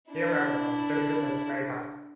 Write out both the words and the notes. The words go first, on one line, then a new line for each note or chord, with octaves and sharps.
Hero of Socialist Labor.
D4 E4